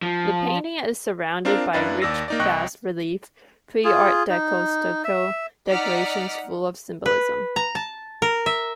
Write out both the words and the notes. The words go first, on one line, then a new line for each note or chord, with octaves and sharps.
The painting is surrounded by rich bas-relief, pre-art deco stucco decorations full of symbolism.
F3
C4 D4 F4 A#4
F#2 D4 E4 B4 F5 A6
D#2 D5 E6 A#6
A#3 D#4 D5
C2 D#5 G5 C#6 F#6
F4 G#4
D#4
E5
D#4 D5 F#5 F6 B6
B4
A#5
A5
A#4
E5